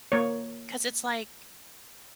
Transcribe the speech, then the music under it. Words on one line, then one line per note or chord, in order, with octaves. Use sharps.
'cause it's like
A#3 C#5